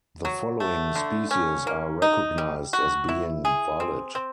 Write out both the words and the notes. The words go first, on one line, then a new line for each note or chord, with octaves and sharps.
The following species are recognised as being valid.
F#3
A3
D3
C#4
A#3
D#4
G3
F#4
E4
G#4
C4
C4